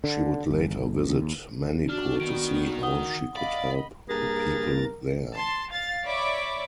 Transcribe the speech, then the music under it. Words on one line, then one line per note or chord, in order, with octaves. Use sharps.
She would later visit Manipur to see how she could help the people there.
D3
G1
D#2
D4 F#4 F6
D#3 B3 D4 D7
F#5 D#6 G7
D5 D#5 F5 B5
G2 A#3 G#4 A#4 A#5 A6
A5 C6
F5 A6
C#5 D5 E5 B5 C#6 D6